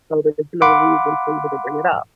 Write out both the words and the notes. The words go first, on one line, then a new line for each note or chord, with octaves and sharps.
so there's no reason for you to bring it up.
F5 F#5 B5 C6 D6